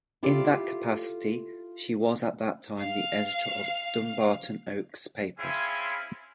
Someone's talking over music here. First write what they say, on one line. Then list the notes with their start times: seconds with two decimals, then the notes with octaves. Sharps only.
In that capacity, she was at that time the editor of Dumbarton Oaks Papers.
0.23 E4 F4 G4 A4 D5
2.77 F5 F7
5.38 C4 C#4 E4 F4 G#4